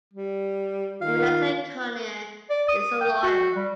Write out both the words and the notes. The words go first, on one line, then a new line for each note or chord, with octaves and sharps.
Aminata Koné is a lawyer.
G3
D#3 F4 F5
D5
D#6
G5
F#4
G3